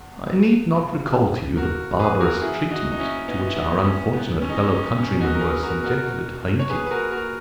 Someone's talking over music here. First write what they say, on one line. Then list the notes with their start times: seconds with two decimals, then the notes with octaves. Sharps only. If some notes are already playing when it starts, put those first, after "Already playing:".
I need not recall to you the barbarous treatment to which our unfortunate fellow countrymen were subjected at Haiti.
Already playing: E2
0.71 C#2 B2
1.56 F#4 A#4
1.99 G#4 B4
2.20 F#4 A#4
2.42 F#2 E3 E4 G#4
2.70 D#4 F#4
2.92 D#4
2.99 C#4 E4
3.28 B3 D#4
3.47 E4
3.56 B3 D#4
3.84 C#4
4.13 G#2 E3 B3
4.41 C#4
4.49 D#4
4.57 C#4
4.66 D#4
4.70 C#4
4.98 C#4
5.20 D#4 F#4
5.35 A#4
5.41 G#4 B4
5.63 F#4 A#4
5.84 E2 B2 F#4 A#4
6.59 C#5
6.69 G#4 B4
6.86 B4
6.91 F#4 A#4
7.12 F#4 A#4